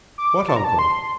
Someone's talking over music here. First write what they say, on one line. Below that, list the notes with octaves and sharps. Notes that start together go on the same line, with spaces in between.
"What uncle?"
D6
A5
A#5
A5
C6